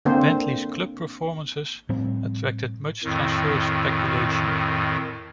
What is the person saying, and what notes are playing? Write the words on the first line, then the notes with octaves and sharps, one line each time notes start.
Bentley's club performances attracted much transfer speculation.
D3 A#3 C4 C5
A2 F3 G3 C4
F2 A2 D#3